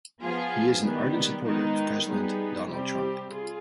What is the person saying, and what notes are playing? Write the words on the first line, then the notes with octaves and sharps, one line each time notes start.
He is an ardent supporter of president Donald Trump.
F3 B3 F4 G#4
D#3 G3 B3
D#3 G#3 B3 D#4
G3 B3 D#4 G#4
C3 G3 C4 G4
F4 G#4